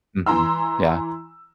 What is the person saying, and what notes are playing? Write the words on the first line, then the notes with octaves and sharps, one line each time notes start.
Mhm. Yeah.
E3 A#5 C6 E6